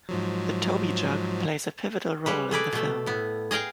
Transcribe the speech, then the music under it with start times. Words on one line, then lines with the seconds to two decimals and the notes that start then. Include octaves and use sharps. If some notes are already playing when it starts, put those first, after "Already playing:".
The Toby Jug plays a pivotal role in the film.
0.09 G#2 F3 F#3
2.26 G3 G#3 B4
2.51 A3 G#4 B4 D5
2.73 B2 A3
3.06 A2 B3
3.51 G#4 D#5 F5 G5 G#5